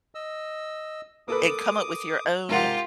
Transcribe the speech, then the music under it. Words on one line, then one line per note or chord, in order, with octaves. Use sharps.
and come up with your own
D#5 E6
A#3 A4 B4 D6 D#6
G#2 C3 F4 G4 A#4 F#5